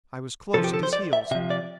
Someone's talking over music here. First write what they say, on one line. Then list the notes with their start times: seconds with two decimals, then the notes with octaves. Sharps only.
I was close at his heels.
0.54 C3 F3 A4
0.64 G4
0.74 A4
0.83 C5
0.93 D5
1.13 E5
1.31 C3 E5
1.35 F3
1.50 D5